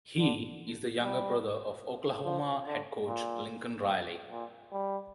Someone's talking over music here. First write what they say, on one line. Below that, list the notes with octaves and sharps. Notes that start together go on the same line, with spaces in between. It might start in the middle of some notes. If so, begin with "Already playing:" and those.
He is the younger brother of Oklahoma head coach Lincoln Riley.
D3
G3
F3
D3
A#2
A#2
G3